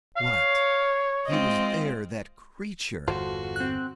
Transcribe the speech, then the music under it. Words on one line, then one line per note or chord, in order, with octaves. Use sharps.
What! he was there, that creature!
C#5 F5
G#3 C4 F4 D#5
G1 E2 F4 F#4 A4 C5
C4 F#6